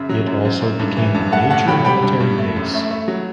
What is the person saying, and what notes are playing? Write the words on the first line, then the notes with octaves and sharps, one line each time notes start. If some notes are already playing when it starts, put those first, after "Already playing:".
It also became a major military base.
Already playing: F#2 C#3 E5
F#3
F#2
F#2
F#2
G2
E3
G2
A3 F#5 A5
A2 F#5 A5
F#3 G5 B5
G3 G5 B5
G2
G2
A3
F#2
A3
A3
F#3